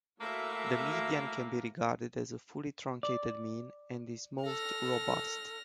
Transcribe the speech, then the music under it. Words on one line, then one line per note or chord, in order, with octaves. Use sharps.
The median can be regarded as a fully truncated mean and is most robust.
A2 A3 A#3 F#4 E5
D5
A4 F6 A#6